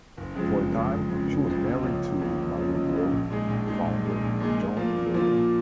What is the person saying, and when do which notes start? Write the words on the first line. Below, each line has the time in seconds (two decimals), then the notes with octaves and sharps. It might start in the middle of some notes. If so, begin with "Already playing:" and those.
For a time she was married to Mango Groove founder John Leyden.
0.17 F#1
0.35 F2 C#3 F3 G#3
0.54 F#1
0.72 F2 C#3 F3 G#3
0.90 F#1
1.09 F2 C#3 F3 G#3
1.27 F#1
1.46 F2 C#3 F3 G#3
1.64 C#2
1.83 C#3 F3 A#3 C#4
2.01 C#2
2.19 C#3 F3 A#3 C#4
2.38 C#2
2.56 C#3 F3 A#3 C#4
2.74 C#2
2.93 C#3 F3 A#3 C#4
3.12 A#1
3.29 A#2 G#3 D#4 G#4
3.48 A#1
3.67 A#2 G#3 D#4 G#4
3.85 A#1
4.03 A#2 G#3 D#4 G#4
4.21 A#1
4.40 A#2 G#3 D#4 G#4
4.58 A#2
4.77 F3 A#3 F4
4.95 A#2
5.14 F3 A#3 F4
5.32 A#2